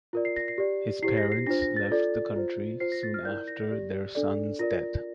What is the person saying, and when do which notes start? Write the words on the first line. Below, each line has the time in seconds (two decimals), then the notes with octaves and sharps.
His parents left the country soon after their son's death.
0.13 F4 A#4 D5
0.25 C7
0.36 A#6
0.48 C7
0.58 G4 D5
1.02 E4 G4 C5 C7
1.17 A#6
1.32 C7
1.46 D4 F4 C5 A#6
1.62 A#6
1.76 A6
1.91 F4 A4 D5
2.36 F4 C5
2.80 F4 C5 C7
2.92 A#6
3.03 A6
3.14 F6
3.25 E4 A#4 D5 G6
3.48 A#6
3.70 G4 D5
4.15 D4 A4 D5
4.59 F4 A#4 D5 A#6